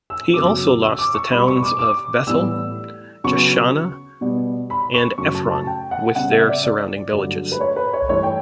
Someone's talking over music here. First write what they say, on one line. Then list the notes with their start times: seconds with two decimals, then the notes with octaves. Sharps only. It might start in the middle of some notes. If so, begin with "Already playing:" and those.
He also lost the towns of Bethel, Jeshanah, and Ephron, with their surrounding villages.
0.10 E6
0.34 F#2 C#3 F#3 B3 D6
0.82 E6
0.99 D6
1.14 C#6
1.31 B2 G3 B3 B5
1.47 C#6
1.63 D6
1.79 D6
2.27 A2 E3 G3 B3 E6
3.24 C#3 F#3 B3 C#6
4.21 B2 G3 B3
4.70 B5
4.94 C#6
5.18 F#2 C#3 F#3 A3 C#6
5.35 A5
5.51 A5
5.67 G5
5.91 F#5
6.15 C#3 G3 B3 F#5
6.32 E5
6.48 D5
6.64 D5
7.12 G2 D3 F#3 A3
7.52 B4
7.61 C#5
7.76 B4
7.93 C#5
8.09 G2 E3 A3 C#5
8.23 G5